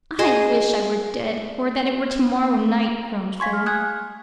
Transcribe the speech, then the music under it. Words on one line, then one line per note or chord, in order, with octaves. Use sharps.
"I wish I were dead, or that it were tomorrow night," groaned Phil.
G#4 C5 D#5
F5 G#5 C6 C#6 G#6 B6
G#4 F6
G#5 D#6 F#6 G#6